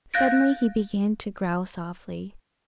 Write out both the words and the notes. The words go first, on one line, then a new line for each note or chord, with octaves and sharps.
Suddenly he began to growl softly.
F5 F#6 G6 A6 A#6 D7